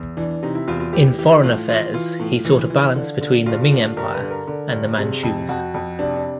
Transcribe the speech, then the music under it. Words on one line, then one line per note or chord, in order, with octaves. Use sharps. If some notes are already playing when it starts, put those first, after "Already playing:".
In foreign affairs he sought a balance between the Ming Empire and the Manchus.
Already playing: E2
E3 D4
C3 D#4
E4
E2 F4
F4
E3 G4
E3 G4
A2 F4
E3 F4
E3 F4
A2
E3
E3
D3
D3
G2 F4
D3
G2 A#4
B4
D3
A#4
D3
G2
C3 G#4
F2
F2 F#4
F2
C3 D4
D4